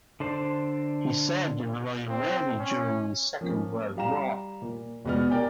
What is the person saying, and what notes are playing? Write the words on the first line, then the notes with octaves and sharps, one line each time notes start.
He served in the Royal Navy during the Second World War.
D3 D4 C5
C4
C#4
F3 A#3 C#4
G3 F5 A#5 E7
A#2
F1 B2 G#3 B3 D5 F6
G4 A#4 D5 G5 G#5